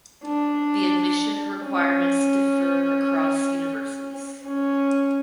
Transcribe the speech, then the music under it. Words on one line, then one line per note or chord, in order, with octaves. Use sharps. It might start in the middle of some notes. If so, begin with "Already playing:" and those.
The admission requirements differ across universities.
D4
C#4
C#4